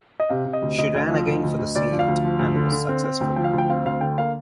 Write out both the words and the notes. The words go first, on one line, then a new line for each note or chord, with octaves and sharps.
She ran again for the seat, and was successful.
D#5
C3 F5
C3
D#5
D2
D2 D#5
D2
F3
D2
D2
D2
D2 D5
F3
F5
D2
F3
D2
D3
D3
C4
C4
D2 G5
F3 G5
F5
D2
G5
C4 F5
D2 F5
D3 G5
A#3 F5